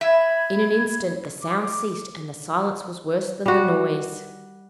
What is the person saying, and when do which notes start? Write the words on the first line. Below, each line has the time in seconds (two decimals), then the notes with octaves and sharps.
In an instant the sound ceased and the silence was worse than the noise.
0.01 E5 B5 G#6
1.42 D6
3.46 G3 F#4